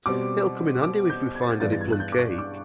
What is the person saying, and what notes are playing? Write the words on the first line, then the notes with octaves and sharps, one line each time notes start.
It’ll come in handy if we find any plum-cake.
B2 G3 C4 D6
D6
G6
G#6
A6
G#6
G2 E3 G#3 B3 D4 A6
A6
G#6
F#6
G6
D6
C#6
D6